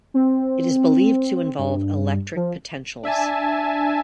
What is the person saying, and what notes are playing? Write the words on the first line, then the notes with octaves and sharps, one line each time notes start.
It is believed to involve electric potentials.
C4
G2
F3
D4 E5 G#5 A5